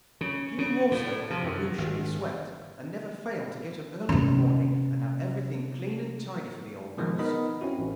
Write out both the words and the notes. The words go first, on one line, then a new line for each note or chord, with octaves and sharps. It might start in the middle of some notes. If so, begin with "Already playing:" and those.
She knew also how a room should be swept, and never failed to get up early in the morning and have everything clean and tidy for the old mouse.
C#3
C#3
A2
C3
F#2
G#1
C3 C#4
B2 D#3 F3 G#3
B3 D#4 A#4 D#5 B5
C4 C#4 E4 F#4
A1